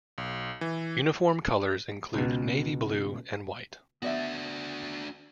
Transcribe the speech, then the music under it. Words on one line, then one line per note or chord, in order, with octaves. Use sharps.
Uniform colors include navy blue, and white.
B1
E3
C#2 B2
B3 D4 F#4 D5 E5